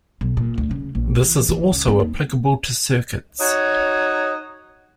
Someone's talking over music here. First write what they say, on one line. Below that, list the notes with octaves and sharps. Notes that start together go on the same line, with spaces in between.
This is also applicable to circuits.
B1
A#2
D2
C#3
A#1
E3
E3
C#2
C4
D#2
D#4 F#4 C#5 D#5